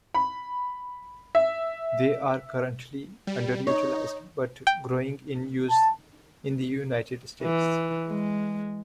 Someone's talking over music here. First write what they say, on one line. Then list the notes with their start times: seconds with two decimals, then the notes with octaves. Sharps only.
They are currently underutilized but growing in use in the United States.
0.14 B5
1.35 E5
3.27 G3
3.67 D#4 C#5
4.67 G5
5.70 A5
7.43 E3
8.09 G#3